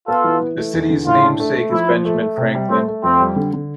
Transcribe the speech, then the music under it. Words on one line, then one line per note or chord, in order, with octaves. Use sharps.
The city's namesake is Benjamin Franklin.
B3 F4 A4
E3
E3
A3
E2
D3
A2 F4
D4
A3
A3
F3 E4
F3
A3
A3
C3
G3
A3 C4
A3
F2 C4
G3
D3
D3